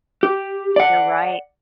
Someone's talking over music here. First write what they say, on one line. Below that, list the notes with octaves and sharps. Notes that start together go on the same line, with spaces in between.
You're right.
G4
D5 F#5